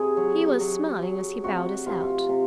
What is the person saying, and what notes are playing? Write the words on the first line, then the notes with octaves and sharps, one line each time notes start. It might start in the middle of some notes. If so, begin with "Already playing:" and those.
He was smiling as he bowed us out.
Already playing: C3 G#4
F#3
F#3
F#3
C3 F#4
C3 F4
C3